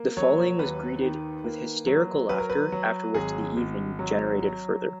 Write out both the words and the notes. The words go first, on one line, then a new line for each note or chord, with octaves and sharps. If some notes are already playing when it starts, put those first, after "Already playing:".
The following was greeted with hysterical laughter after which the evening degenerated further.
Already playing: A#3
F#3 C#5
D#2 B4
D#3
A#3
F#3
F#3 B4
A#4
B4
F#3
G#1 G#4
G#1
F#3
F#3